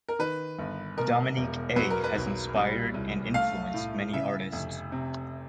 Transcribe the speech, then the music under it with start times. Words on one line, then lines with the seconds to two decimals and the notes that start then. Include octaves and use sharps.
Dominique A has inspired and influenced many artists.
0.09 A#4
0.19 D#3 B4
0.59 G1
0.97 B2 A#4
1.37 E1
1.76 F#3 B4
1.90 A#4
2.04 B4
2.15 B1
2.56 G3
2.94 C2
3.34 A3 F5
3.74 A2
4.13 C#3 E5
4.52 F1
4.92 C3